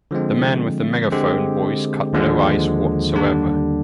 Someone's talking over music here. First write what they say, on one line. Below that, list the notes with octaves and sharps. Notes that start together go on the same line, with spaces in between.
The man with the megaphone voice cut no ice whatsoever.
D3 F3 G#3 C4
D3 G#3 C4 G4
D#2 D3 F3 G#3
D#2 D3 G3 D4